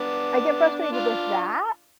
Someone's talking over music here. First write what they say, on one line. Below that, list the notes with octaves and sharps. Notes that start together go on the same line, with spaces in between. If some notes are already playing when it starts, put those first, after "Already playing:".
I get frustrated with that,
Already playing: B3 D4
D4 F4